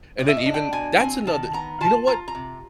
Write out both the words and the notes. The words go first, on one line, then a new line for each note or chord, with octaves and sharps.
And, then, even that's another you know what?
A2 C#5
E5
D#5
D4
G5
B2 G#5
C4 G#5
D#3 A5
B3 A#5
F4 A5
F4 A#5
A#5
C3